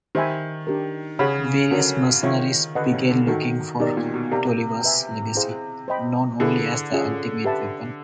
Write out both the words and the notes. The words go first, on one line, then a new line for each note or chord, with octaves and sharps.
Various mercenaries began looking for Tolliver's legacy, known only as the ultimate weapon.
D#3 G4 C5 E5 G#5 B5
D4 G4 A#4
C#3 G#4 C#5 F#5 B5
D3 C#4 F#4 A#4
D#3 F4 G#4 C#5 E5
D3 B4 D#5 F#5
C#3
D3
D#3 D#4 F#4 A4
B2 D#4 G4 A#4 D5
A#2
B2
C3 G4 A#4 D5 F5 A#5
B4 E5 G#5
E4 G#4 C5 F5
C5 D#5 G5 B5
D3 E4 G#4 B4
C#4 F4 G#4 C5
G4 B4 E5 A5